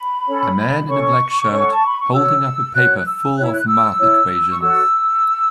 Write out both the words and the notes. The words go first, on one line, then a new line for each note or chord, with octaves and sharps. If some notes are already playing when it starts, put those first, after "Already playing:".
A man in a black shirt, holding up a paper full of math equations.
Already playing: B5
C#4 A4 C#5
C#4 A4 C#5 C#6
C#4 A4 C#5
F#5
A5
B5
C#6
F#4 C#5 E6
F#4 C#5 F#6
F#6
E6
E4 C#5 F#6
E6
F#6
E6
E4 C#5
C#6
F#4 A4 C#5 E6